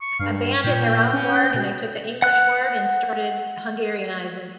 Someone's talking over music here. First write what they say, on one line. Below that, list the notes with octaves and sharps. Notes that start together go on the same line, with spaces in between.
abandoned their own word, and they took the English word, and started Hungarianizing.
C#6
G2 F5
A#2 G5
C#4
B2
F#5 F#6